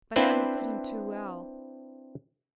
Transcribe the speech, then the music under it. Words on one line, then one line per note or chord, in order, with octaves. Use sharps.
But I understood him too well.
C4 D4 E4 B4 C5